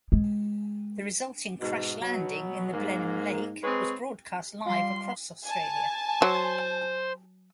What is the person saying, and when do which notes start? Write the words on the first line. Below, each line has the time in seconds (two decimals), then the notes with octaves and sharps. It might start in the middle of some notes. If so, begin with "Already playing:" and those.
The resulting crash landing in the Blenheim lake was broadcast live across Australia.
0.12 G#3
1.61 G#2 B2
2.01 B2 F#3
2.73 G#2 A#3
3.63 G#3 C4 G#4 B4 C#5
4.66 G3 F4 C6
5.45 G#5 A5
6.22 F#3 C5